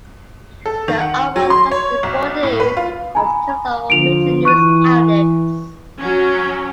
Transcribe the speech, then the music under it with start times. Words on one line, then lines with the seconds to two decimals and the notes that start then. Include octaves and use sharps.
The uproar lasted for days and was covered on all major news outlets.
0.66 A4
0.88 D#3
1.00 F#5
1.36 F#3
1.50 C6
1.71 C#5
2.03 B1
2.43 A2
2.60 B4
2.77 F4
3.15 G#5 A#5 B5
3.90 D3 F3 F4 D7 F7
4.45 E3 C#6 F#6 D#7
5.98 F#3 C#4